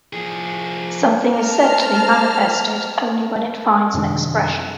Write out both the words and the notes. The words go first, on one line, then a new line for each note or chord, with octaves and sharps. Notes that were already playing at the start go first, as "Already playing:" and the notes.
Something is said to be manifested only when it finds an expression.
F3 G#4
C5 A5 A#5 F6
F#2 C3 D#3 D4